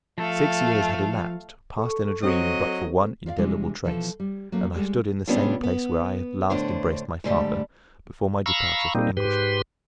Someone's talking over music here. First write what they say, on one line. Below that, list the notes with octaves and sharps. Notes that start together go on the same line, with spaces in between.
Six years had elapsed, passed in a dream but for one indelible trace, and I stood in the same place where I had last embraced my father before my departure for Ingolstadt.
F3 A3 A4 F5
A4 C#6
F#3 C4 D#5 D#6
F4 D5 E5 F5
C3 E3 G3 G#3 D4
B2 E3 F3 A4
G3
F#3 A3 A#3 C#4
G3 G#3
C3 G3 B3 C#4 D4 F4
B3
A2 D3 D4 C5
G#2 D3 G3 A3
F5 A#5 B5 C#6 E6
A#2 G3 A#3 C4 D#4
G#2 G4 B4 C6